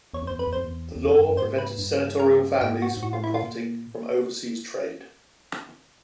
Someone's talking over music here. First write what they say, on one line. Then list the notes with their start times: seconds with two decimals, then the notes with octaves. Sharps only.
The law prevented senatorial families from profiting from overseas trade.
0.14 E2 C#5
0.22 F2
0.27 E2 C5
0.39 F2 B4
0.47 E2
0.53 F2 C5
0.65 E2
0.96 E2
1.07 F2
1.17 G2
1.27 F#2
1.37 G#2 C5
1.58 B4
1.78 G2
2.19 A#4
2.61 G#2 G4
2.82 F#4
2.97 G#2
3.03 A2 F#4
3.13 F4
3.24 E4
3.34 F4
3.43 A#2